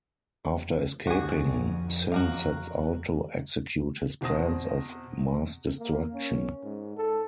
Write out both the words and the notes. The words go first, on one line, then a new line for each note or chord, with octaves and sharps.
After escaping, Sin sets out to execute his plans of mass destruction.
D2 D3 F#4 G#4
F2
F#4 A#4 F5
E2 B2 C4 C5 D#6 A#6
A#3
C#4
G#2
A4